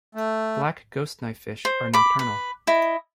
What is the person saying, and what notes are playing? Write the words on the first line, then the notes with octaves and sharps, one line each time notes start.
Black ghost knife fish are nocturnal.
A3
C5
B5 D6
B4
E4 D#5